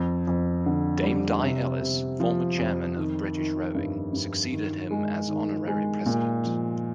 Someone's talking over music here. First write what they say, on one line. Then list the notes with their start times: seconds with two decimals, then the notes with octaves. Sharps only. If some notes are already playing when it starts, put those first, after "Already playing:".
Dame Di Ellis, former chairman of British Rowing, succeeded him as Honorary President.
Already playing: F2
0.27 F2
0.66 D3
1.04 G3
1.42 C3
1.81 C3
2.20 F3
2.58 F2
2.97 D#3
3.35 D#3
3.75 G2
4.13 G2
4.51 D#3
4.91 G#3
5.28 D#3
5.68 G#3
6.06 A#2
6.45 F3